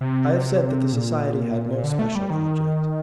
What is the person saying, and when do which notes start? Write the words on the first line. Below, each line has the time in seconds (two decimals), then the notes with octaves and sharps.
I have said that the society had no special object.
0.01 C3
0.93 A#2
1.84 D3
1.99 A3
2.15 G3
2.30 D#3